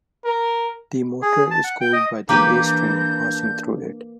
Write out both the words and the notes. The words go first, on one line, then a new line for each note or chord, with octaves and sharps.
The motor is cooled by the airstream passing through it.
A#4
G#4
A5
F#5
G5
D#5
E3 A#3 D4 G4 B4 G6